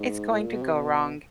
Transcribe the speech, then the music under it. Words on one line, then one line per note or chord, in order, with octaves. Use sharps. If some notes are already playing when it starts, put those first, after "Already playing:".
it's going to go wrong,
Already playing: G#2
A2
A#2
B2
C3
B2